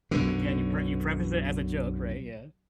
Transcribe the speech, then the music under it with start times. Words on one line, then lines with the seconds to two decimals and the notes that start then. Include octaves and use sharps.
Again, you pre you preface it as a joke, right? Yeah.
0.11 B1 F#2 D3